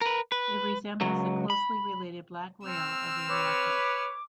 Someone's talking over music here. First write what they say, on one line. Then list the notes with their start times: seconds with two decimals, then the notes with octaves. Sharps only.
It resembles the closely related black rail of The Americas.
0.01 A#4 B4
0.32 B4
1.01 C#2 F#3
1.50 B5
2.64 C4 E6 F6
3.30 B4 C#5 D6